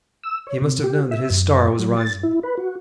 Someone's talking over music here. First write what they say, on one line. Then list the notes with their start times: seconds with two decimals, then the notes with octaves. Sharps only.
He must have known that his star was rising.
0.24 E6
0.47 C#5
0.62 C3
0.84 G4
1.11 E5
1.30 F#2
1.79 F#3
1.97 A6
2.23 E4
2.43 B4
2.57 F#4